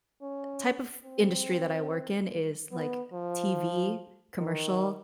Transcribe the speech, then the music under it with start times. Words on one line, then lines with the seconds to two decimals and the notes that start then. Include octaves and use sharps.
type of industry that I work in is, like, TV commercial
0.22 C#4
1.05 C4
2.72 B3
3.13 F3
4.38 D#3